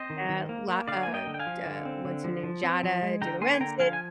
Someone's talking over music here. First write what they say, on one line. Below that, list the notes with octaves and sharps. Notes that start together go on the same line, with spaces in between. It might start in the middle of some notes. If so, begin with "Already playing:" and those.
Yeah, lot of da What's her name? Giada DeLaurentis,
Already playing: C4 C5 D#5
D#3
D#3
A#3
A#3
D3 D5 F5
A#3 G#5
D#5 G5
D3
G5
F5 G#5
F3
D3
C4
D3
F3
F3
C4
F3
G#3
D3 G5 A#5
A#3 G#5 C6
G#5
D3 G5 A#5
F3 F5 G#5
G#5